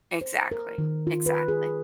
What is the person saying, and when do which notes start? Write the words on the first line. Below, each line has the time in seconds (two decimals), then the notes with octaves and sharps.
Exactly, exactly.
0.21 C5
0.52 A#4
0.78 D#3
1.07 F4
1.26 B4
1.48 G#4